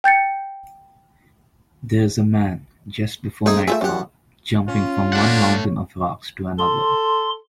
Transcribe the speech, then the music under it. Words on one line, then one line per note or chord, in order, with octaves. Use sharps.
There is a man, just before nightfall, jumping from one mountain of rocks to another.
G5 G6 A6 C#7
A3 C4 D#4 G#4
A3 F4 G#4 E5
F#2 C#4 G4 F#5
C#4 F4
A3 D4 F#5
A4 C6